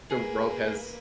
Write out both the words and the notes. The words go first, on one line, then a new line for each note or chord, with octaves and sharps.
the world has,
A#3 G#4 B4